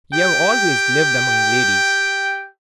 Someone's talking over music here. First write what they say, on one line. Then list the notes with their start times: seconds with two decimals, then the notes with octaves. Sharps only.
You have always lived among ladies.
0.13 G4 G5